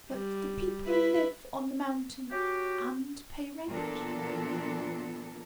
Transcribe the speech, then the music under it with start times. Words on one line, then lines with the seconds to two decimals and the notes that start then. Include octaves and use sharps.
"But the people live on the mountain and pay rent?"
0.11 G3
0.86 E4 B4
2.31 C#4 F#4 G4
3.69 A#2 E3 F#3 B3 D4 A4